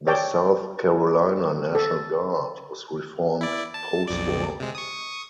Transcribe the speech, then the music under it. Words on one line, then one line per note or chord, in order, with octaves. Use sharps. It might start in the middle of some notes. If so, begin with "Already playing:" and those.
The South Carolina National Guard was reformed postwar.
C#5 D5 G5 A5
A4
E4 D5
A5
B1 F2 D5
C3 G#3
C#6 D#6